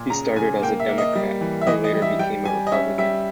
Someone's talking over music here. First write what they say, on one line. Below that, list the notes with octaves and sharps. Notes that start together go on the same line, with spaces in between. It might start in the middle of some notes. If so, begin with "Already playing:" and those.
He started as a Democrat, but later became a Republican.
Already playing: A#2
C#3 A#5
C#3 G#5
A#3 G5
E5
A#3
D#5
G3
E3
E5
E3 D#5
D#5
G3
E5
G3 G5
G3 G#5
D#5
C#4 E5
G3 E5